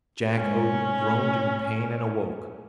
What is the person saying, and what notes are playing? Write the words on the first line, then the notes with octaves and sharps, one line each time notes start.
Jack Odin groaned in pain and awoke.
G#2 C#4
A2